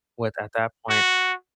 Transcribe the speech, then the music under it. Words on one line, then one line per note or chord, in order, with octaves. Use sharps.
with, at that point,
F#4